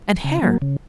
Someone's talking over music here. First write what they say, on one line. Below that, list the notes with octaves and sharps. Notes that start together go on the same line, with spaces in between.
And hair.
C#3
F#3 A#3
C#3